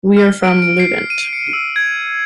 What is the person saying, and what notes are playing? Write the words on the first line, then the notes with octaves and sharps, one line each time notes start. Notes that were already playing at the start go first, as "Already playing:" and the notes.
We are from Lludient.
F6
D7
D7
C7
D#7
C#7
E6
G#6